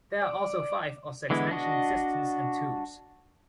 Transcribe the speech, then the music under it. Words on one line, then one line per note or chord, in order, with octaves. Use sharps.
There are also five or six ancient cisterns and tombs.
D5
D3 E3 G#3 B3 E4
D4 F#4 D#5